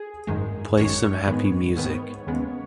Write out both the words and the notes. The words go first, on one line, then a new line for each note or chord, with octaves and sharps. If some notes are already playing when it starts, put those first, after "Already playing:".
Play some happy music.
Already playing: G#4
G#1 F#2 D#3 G#3
G#1 F#2 D#3 G#3 C#5
G#2 D#3 G#3 B3
G#2 D#3 G#3 B3
D#2 C#3 G#3 B3